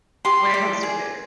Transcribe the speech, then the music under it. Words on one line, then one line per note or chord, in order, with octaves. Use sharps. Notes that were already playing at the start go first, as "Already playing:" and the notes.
when it comes to food.
G4 C6
D5
G#4